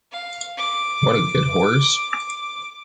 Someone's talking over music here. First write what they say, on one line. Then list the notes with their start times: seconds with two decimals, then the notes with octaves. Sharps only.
What a good horse ?
0.12 F5
0.57 D6